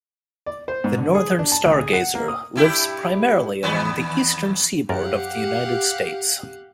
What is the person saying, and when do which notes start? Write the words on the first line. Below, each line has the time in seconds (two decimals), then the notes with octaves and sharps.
The northern stargazer lives primarily along the eastern seaboard of the United States.
0.46 D5
0.68 C5
0.84 G#2
0.98 D3
1.15 G#4
1.39 D4
1.52 A5
1.65 D2
1.79 G#4
1.93 F#5
2.15 A#3
2.28 D#6
2.56 G2 E4 G4
3.63 D#2 B3
4.89 F#2 G4 A#4 D5 F5 F#5